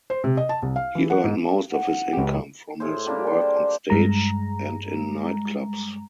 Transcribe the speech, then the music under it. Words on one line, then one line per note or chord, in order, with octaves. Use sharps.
He earned most of his income from his work on stage and in nightclubs.
C5
C3
D#5
A5
C2
F5
E3
F#5
G#2
F#5
C#2 G4
A2 G#4 C5
G3 A#3 D4 G4
G5
C5
G2 G#3 A#5